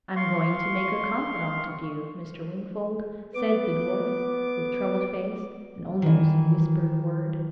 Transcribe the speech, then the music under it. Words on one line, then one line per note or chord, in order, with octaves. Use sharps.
"I am going to make a confidant of you, Mr. Wingfold," said the dwarf, with troubled face, and almost whispered word.
F5 C6 C#6
B3 D6
D#3 E3